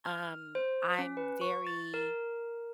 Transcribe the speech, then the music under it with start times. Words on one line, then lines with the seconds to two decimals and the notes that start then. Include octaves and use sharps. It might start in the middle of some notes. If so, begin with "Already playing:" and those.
Um, I'm very,
0.06 F6
0.55 C5
0.99 C#4
1.17 B4
1.41 C#6
1.67 A6
1.94 A#4